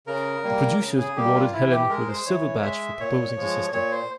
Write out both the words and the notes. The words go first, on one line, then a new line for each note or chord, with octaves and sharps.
The producers awarded Helen with a Silver badge for proposing the system.
C#3 A#4
G3 A#3
C#3
G#4
G3 A#3 G4
F4
E3 E4
G4
G#3 A#4
C5
E3 C#5
G#3 E5
A#2 C#5
F3 G#3
A#2 C#5
C5